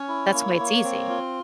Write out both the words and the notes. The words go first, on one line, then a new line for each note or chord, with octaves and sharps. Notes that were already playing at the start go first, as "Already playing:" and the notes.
that's why it's easy.
Already playing: C#4 C#5
E4
A#3
A#3
C4
F4